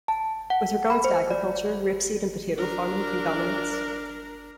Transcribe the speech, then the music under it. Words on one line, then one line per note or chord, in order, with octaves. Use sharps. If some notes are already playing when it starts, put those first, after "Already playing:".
With regards to agriculture, rapeseed and potato farming predominates.
A5
F#5
B5
C5
D5
D4 A#4